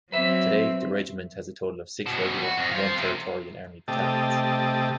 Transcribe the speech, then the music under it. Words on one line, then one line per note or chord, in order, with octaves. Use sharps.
Today, the regiment has a total of six regular and one Territorial Army battalions.
F#3 C4 B4 E5
F2 B2
F#4
F2
C5 F5
F2 C3
C3 A3 G4 D#5 A5